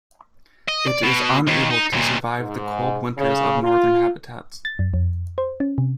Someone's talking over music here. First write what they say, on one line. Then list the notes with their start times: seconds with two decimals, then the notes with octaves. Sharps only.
It is unable to survive the cold winters of northern habitats.
0.68 D#5
0.87 D5
1.03 B2
1.48 D#2
1.71 D#4
1.93 D#2 A#2
2.40 G#2
3.17 C#3
3.62 F4
4.65 A6
4.79 F#2
4.94 F2
5.38 C5
5.60 C#4
5.78 C3